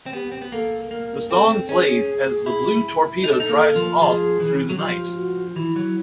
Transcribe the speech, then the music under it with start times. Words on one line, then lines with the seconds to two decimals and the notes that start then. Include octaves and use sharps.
The song plays as the Blue Torpedo drives off through the night.
0.06 C4
0.13 B3 G4
0.32 C4
0.42 B3
0.52 A#3 A4
0.91 A#3 A#4
1.30 C4 A4
1.68 C#4 G#4
2.46 E4
3.24 D#4 A4
3.32 D4
3.40 D#4
3.49 A#3
3.76 F3
4.01 F3 G#4
4.40 E3
4.69 F#3
4.78 F3 G4
5.17 F#4
5.56 E3 F#4
5.60 E4
5.76 F#3